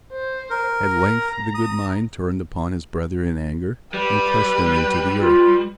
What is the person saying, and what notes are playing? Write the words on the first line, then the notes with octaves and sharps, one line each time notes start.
At length the Good Mind turned upon his brother in anger, and crushed him into the earth.
C5
A#4
A#5
D#6
G3 B4
F4